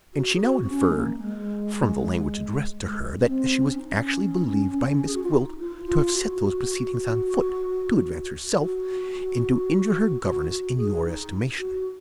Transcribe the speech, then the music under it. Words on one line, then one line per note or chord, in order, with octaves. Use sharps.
And she now inferred, from the language addressed to her, that she was actually believed by Miss Gwilt to have set those proceedings on foot, to advance herself, and to injure her governess, in your estimation.
F#4
G#4
F#4
C4
C#4
G#3
A#3
A#3
G#3
G#3
C#4
C4
C#4
D#4
C#4
G#4
F#4
F4
D#4
F4
F4
F#4
F#4
F#4
F#4
G#4
D#4
F#4